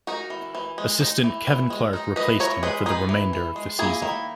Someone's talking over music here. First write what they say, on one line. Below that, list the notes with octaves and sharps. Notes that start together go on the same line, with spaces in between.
Assistant Kevin Clark replaced him for the remainder of the season.
D#4 F#4 A#4
E3
E3
G#3
D#4
E3
E3
G#3
D#4
E3 B4 D#5
E3 A#4 C#5
G#3 G#4 B4
D#4 G#4 B4
E3
E3
G#3
A#3 E4 G#4
D#3 E4